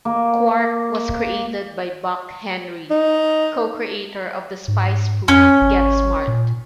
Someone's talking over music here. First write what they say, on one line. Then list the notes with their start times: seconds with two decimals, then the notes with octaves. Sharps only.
"Quark" was created by Buck Henry, co-creator of the spy spoof "Get Smart".
0.05 A#3
2.91 D#4
4.68 G#2
5.28 F2 C#4
5.61 G#1
6.27 A#2